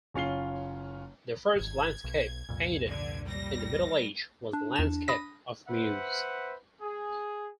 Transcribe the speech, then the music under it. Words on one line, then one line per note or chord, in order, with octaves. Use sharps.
The first landscape painted in the Middle-Age was the landscape of Meuse.
F#1 C#4 F4 C7 G7
G#1 G#6
B1
C2 F2 A#2
G2 D3 G#6
D#2 G3 A#6
D4
E2 E7
B5 D#6 A#6
B4 C5 E5 F#5
G#4